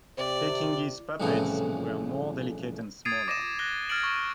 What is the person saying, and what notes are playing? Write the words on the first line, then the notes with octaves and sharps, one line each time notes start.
Pekingese puppets were more delicate and smaller.
C3 D5
C2 F2 A2 C#3 E3 D#6
D#6 G#6 A6 C7 D7 D#7
D6 A#6 D#7 E7
F#6 A#6 G7
F6 G#6 A6 D7 F#7
C#6 D7